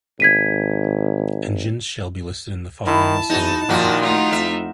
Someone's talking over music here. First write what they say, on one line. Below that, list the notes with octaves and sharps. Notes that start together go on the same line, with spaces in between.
Engines shall be listed in the following "ascending" order.
G#1 G#6 B6 D#7
D#3 E4 A5
E2 D#4 F#4
A#2 D#3 F3 A#3 F#4 F#5
A3 D#4 F4
F2 E5